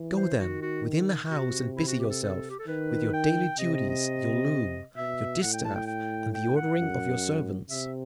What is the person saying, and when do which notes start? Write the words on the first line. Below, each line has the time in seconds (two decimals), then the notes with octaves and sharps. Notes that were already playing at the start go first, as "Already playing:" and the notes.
Go, then, within the house and busy yourself with your daily duties, your loom, your distaff, and the ordering of your servants.
Already playing: E3
0.16 C5
0.39 D#3 F#4
0.62 F#4
1.30 C3 F#4
1.77 E4
1.88 F#4
1.99 G4
2.10 A4
2.22 A4
2.50 G4
2.59 A4
2.67 D#3 B4
3.13 G5
3.59 C3 D#5
3.74 D#5
3.89 D#5
4.96 B2 E5
5.42 A2 F#5
5.53 G5
5.65 A5
5.76 G5
5.87 G5
6.34 G5
6.56 F#5
6.79 F#2
7.70 C3 E5